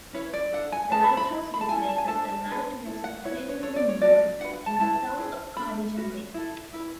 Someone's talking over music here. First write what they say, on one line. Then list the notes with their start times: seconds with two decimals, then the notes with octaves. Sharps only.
The lighthouse replaces a light-vessel previously moored in the south of Cardigan Bay.
0.13 C#4 E4 B4 C#5
0.34 D5
0.52 D4 A4 F#5
0.72 G#5
0.91 C#4 G#4 B4 A5
1.04 B5
1.17 B5
1.30 E4 B4
1.54 B5
1.61 A5
1.69 C#4 E4 A4 G#5
1.89 A5
1.98 G#5
2.07 D4 A4 A5
2.47 D4 G#4 B4
2.85 E4 A4
3.04 F#5
3.24 E4 B4 C#5
3.37 B4
3.49 C#5
3.62 D4 A4 C#5
3.76 D5
3.89 C#5
4.02 C#4 F#4 A4 D5
4.40 D4 F#4 B4 F#5
4.54 F#5
4.66 A5
4.79 C#4 E4 B4 A5
5.17 E4 G#4 B4
5.56 D4 A4 B5
5.96 C#4 F#4 B4
6.34 E4 A4
6.73 E4 B4